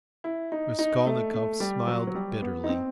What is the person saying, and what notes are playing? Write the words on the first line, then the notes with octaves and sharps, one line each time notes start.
Raskolnikov smiled bitterly.
E4
D#4
D#4
A3
A3
G3
F#3
F#3
G3
B3
D#4
C4